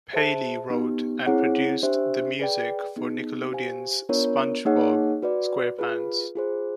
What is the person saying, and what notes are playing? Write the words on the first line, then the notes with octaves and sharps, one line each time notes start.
Paley wrote and produced the music for Nickelodeon's SpongeBob SquarePants.
G#4 C5 E5 A5
B3 D#4 G4
C4 E4 G#4 C#5 F#5
D4 G4 C5 E5
G#4 B4 D5 G5
B3 D#4 G#4
G4 C5 F5 G#5
B3 D4 F4 A#4 C#5
A#3 D#4 G#4 C#5 F#5
F#4 B4 D5
F4 G#4 B4
F4 G#4 C5